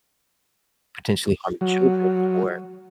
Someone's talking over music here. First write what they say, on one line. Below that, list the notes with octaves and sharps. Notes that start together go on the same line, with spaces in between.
potentially harming children or,
F#3